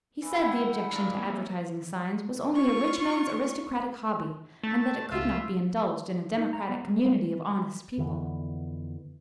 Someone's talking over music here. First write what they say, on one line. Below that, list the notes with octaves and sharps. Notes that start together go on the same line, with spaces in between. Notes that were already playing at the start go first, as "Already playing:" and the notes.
He said the objection to advertising signs was only a rich man's aristocratic hobby, and that it could not be indulged in a democratic community of honest people.
E3
E3 E4 F#5 G5
D4 A#4 F5 A5 A#5
G#3 A#3 C#5
F4 C#6
A3 A5
C#2 F4 E5
D#4
A#5
B3
G3
F2 D3 E3 B3